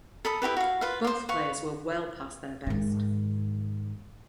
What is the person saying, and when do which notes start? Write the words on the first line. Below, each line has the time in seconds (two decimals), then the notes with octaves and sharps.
Both players were well past their best.
0.25 A4 B5 D#6
0.42 E4 F#4 G4 B4
0.57 F#4 F5
0.81 F4 B4 F5
1.04 C5 C6
1.29 B4 F5 C#6
2.67 G#2 D#3